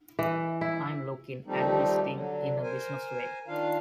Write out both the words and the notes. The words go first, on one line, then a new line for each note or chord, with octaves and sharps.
I'm looking at this thing in a business way.
E3
E4
D#2 F3 G3 A3 C4 D#4
D3 F#3
A#4 C5 G#5
D#3 D4 F4 F5